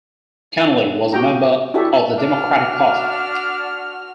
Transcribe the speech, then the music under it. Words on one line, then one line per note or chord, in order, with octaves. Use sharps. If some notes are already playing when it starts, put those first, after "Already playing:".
Kennelly was a member of the Democratic Party.
F#4 G4 G5 A#5
D4 E4 F#4 G4 A4 E5
D4 F#4 F6